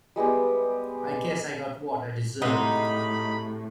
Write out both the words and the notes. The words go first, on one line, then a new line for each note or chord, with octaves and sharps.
I guess I got what I deserved.
G3 G#3 B3 G4
A2 C3 G#3 D#4 F#5 B5